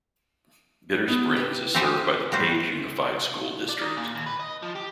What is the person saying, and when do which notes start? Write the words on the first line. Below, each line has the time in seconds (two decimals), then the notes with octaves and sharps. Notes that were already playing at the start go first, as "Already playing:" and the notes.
Bitter Springs is served by the Page Unified School District.
1.08 B3
1.37 G4 B4
1.74 C4 G4 C5 F5 G5 G#5
2.32 G3 F#4 C5 G5
3.69 D5
3.81 D#3
3.97 A#2
4.15 D#2
4.26 B4
4.40 D#5
4.63 F3
4.75 G4